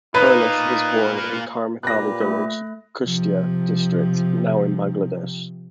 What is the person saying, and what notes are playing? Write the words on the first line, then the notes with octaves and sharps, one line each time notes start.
Harinath was born in Kumarkhali village, Kushtia District, now in Bangladesh.
A#3 D#4 F4 B4
A#2 G4 B4 F#6 A#6
A3
C3 F3